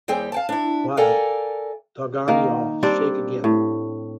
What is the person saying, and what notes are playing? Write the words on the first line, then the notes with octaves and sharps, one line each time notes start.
Why, doggone you all, shake again.
D#2 G3 C4 G#4 G5
F5 G5 A5
D4 E4
A4 A#4 D5 F5 G5 G#5
D#3 A#3
G3 C4 D4 D5
A2